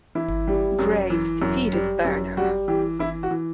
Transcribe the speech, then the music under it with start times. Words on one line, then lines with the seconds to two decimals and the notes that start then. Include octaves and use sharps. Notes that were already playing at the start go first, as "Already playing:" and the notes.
Graves defeated Burner.
0.15 E3 E4
0.48 G3
0.79 F#2
1.10 E3
1.42 F#2
1.73 G3
2.04 F#2
2.37 G3 F#4
2.68 E3 G4
2.99 E3 E4
3.23 F#4
3.31 E3